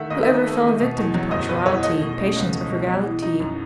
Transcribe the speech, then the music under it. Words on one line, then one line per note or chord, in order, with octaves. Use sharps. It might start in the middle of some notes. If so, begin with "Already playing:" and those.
Who ever fell a victim to punctuality, patience, or frugality?
Already playing: D#3 A3 E5 F#5
D#2 D#5
E5
D#2 D#5
A3
D#3
B2
E2
F#3
F#1 D#5
B2 B4
E2 C#5
A3 D#5
B2
C#4
C#2
A3
B2
B3
E3
D#4
F#2